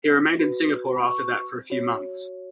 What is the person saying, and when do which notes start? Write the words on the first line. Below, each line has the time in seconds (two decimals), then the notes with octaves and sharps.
He remained in Singapore after that for a few months.
0.39 F#4 B4
0.96 B5
1.05 C#6
1.70 F#4 C#5